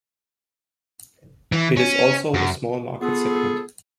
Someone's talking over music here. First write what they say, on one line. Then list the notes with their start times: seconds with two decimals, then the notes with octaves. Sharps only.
It is also a small market segment.
1.52 E3
1.77 C#4
2.34 F#2
3.01 B3 F4 G#4 A4